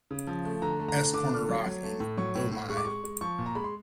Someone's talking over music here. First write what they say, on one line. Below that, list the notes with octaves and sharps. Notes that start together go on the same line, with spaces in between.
"S-Corner Rock", and "Oh My".
C#3
F3
A3
D3 A#5
A3
A#5
D3
D3 D6
A3
F#3
F#3
A3
A2
F#3 C#6
A2
A2
G#3 C#6
D6
G#3 C#6
G#3
F3 C#6
A#2
A#5
G#3 B5
C6